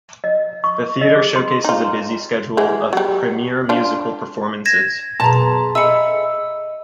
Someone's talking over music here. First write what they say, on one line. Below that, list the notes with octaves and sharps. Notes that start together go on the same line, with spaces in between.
The theater showcases a busy schedule of premier musical performances.
D#5
C#6
D#5
G#4
C6
D#4 F4
E3 F#3 G#3
F#3 G3
D4 F4
G#6 A#6 E7
F#2 B2 G#4 B4 A5 A#5 C6
G#4 D#5 E5 B5 E6 C#7